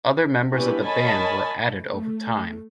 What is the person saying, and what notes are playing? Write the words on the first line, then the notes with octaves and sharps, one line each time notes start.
Other members of the band were added over time.
B3 C#4 D4 E4 G4 B4
A#4 C#5 D#5 G#5 A5 B5
A3